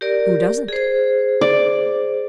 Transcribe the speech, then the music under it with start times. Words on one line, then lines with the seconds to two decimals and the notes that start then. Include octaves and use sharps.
Who doesn't?
0.01 G4 A#4 D5
0.68 G#4 C5
1.41 D5